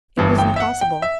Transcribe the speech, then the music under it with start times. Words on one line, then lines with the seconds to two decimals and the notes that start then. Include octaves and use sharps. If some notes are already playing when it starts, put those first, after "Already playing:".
It was impossible?
0.17 G1 G2 E3
0.38 G5
0.56 E5
0.60 F#5
0.81 G5
1.02 E5